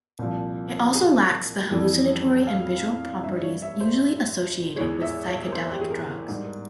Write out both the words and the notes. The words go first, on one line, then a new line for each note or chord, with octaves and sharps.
It also lacks the hallucinatory and visual properties usually associated with psychedelic drugs.
C2 A#2 F3
A#4
G#4
F2 E3 G3
F5
G2 G3 E5
C#5
E5
C5
E2 E3 G#3 C#5
E5
C#5
A#4
C5
G4
G#4
A#4
G#2 G3
A#4